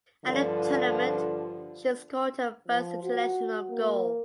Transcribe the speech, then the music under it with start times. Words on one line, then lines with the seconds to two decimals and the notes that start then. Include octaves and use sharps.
At the tournament she scored her first international goal.
0.25 G2 D3 F3 F4
2.68 F3
3.03 F#4
3.70 A#3